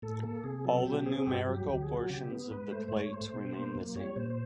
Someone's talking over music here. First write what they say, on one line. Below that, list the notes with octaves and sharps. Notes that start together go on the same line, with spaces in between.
All the numerical portions of the plate remain the same.
A2 A4
A#3 A4
C3 G#4
F#3 A4
B2 G4
C4 G#4
G2 G4
F#3
G4
D2 G4
G#4
F#3
F#4
C#3 G4
B3
G#2 B4
A3 C5
C5
G#2 C#5
A3 C5
B2
A#3
F#2
G3 C#5
A#2 C5
C5